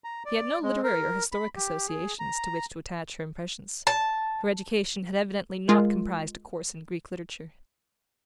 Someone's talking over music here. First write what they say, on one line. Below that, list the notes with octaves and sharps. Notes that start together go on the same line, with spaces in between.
She had no literary or historic associations to which to attach her impressions: her education had evidently not comprised a course in Greek literature.
A#5
D5
G#3
A#4
B5
G4
G#4
A#5
A5
G#3 F4 A#4